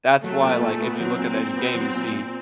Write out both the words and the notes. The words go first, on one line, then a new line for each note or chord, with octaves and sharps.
That's why, like, if you look at any game, you see
F#3 A3
A#2
A#2
B3
F#3 C4
A#2
A#2
B3
F#3
A#2
A#2